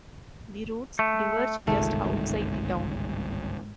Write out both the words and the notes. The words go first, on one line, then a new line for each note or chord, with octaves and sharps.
The routes diverge just outside the town.
A3
G1 C2 G#2 D#3 G#3 A3 F4